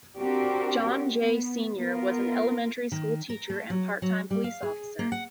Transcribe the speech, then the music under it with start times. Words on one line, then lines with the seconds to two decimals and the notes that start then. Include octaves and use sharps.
John J. Senior was an elementary school teacher and part-time police officer.
0.17 C4 D4 F#4 G4 A#4
1.18 B3
1.77 B3 F4 A#4
2.92 D#3
3.30 A#4
3.50 A3
3.70 F#3
4.02 F#3
4.31 G3
4.44 F5
4.63 G#4
4.99 A#3
5.12 F#5